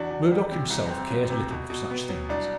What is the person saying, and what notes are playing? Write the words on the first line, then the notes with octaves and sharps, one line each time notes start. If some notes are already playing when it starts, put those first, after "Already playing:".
Murdock himself cares little for such things.
Already playing: E2 D4 F#4
E2
G3
C3
C2
C4
F#3
C3
B2
B2
B3
F#3
C2 D4